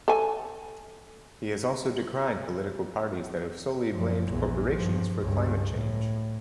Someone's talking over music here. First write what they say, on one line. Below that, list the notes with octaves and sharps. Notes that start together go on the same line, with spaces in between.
He has also decried political parties that have solely blamed corporations for climate change.
A4 G#5
F#2 F3
A#1 E2
G2 F3
C#2 G2
A2